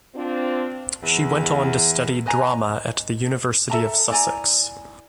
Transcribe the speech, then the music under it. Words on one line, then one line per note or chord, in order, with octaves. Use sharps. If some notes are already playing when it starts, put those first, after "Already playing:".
She went on to study drama at the University of Sussex.
C4 D4 F4
E2
B4 D#5 G#5 A#5
A4 E5 A5 A#5
E4 D5 G#5 A#5